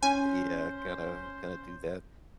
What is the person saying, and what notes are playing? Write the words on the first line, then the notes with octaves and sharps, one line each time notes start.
yeah, gotta gotta do that.
C#4 C5 G#5